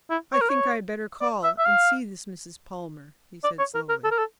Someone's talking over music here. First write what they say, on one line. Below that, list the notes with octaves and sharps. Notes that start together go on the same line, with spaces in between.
"I think I had better call and see this Mrs. Palmer," he said slowly.
E4
C#5
A#4
C#5
D5
E5
E5
F5
D5
C#5
A#4
A#4
A4
A#4
A4